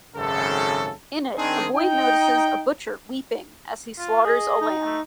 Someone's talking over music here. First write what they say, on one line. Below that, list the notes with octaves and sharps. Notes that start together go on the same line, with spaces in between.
In it a boy notices a butcher weeping as he slaughters a lamb.
G#1 F#2 C#3 A4
D#3 C4 D4 G#4
D#4 G5
F4
G#4 D#5
D#4
A3